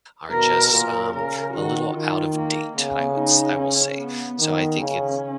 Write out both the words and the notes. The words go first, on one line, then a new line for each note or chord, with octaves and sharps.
are just, um, a little out of date, I would s I will say. So I think it's
B2 A#4
A#2 A#4
C#3 A#4
D#3 F#4
D#3 F4
A#3
C#3 B3
D#4
C#4
B3
D#3 B3
C#3 C#4